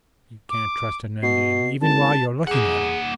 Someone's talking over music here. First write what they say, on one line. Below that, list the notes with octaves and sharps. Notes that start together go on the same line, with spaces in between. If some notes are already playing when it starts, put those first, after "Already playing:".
"You can't trust an Indian even while you are looking at him."
D6
B2 C7
G#1 A5
A#3 G#4 F#5